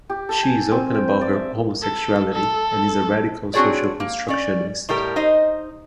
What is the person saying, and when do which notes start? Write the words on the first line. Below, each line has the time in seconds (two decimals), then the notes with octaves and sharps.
She is open about her homosexuality, and is a radical social constructionist.
0.10 G4
0.29 A4
0.43 G#5
0.72 C4
0.94 G5
1.21 D5
1.33 E5
1.82 A4
2.33 A4
3.54 C4 D4 F#4 G#4 C#5 D5
4.00 A#3
4.28 C#4 D5
4.89 A2 G3 G4 A#4
5.16 D#4 C5 D#5